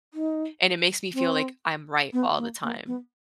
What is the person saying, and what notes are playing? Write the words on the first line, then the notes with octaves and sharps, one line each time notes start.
and it makes me feel like I'm right all the time,
D#4
C4
B3
A#3
A#3
B3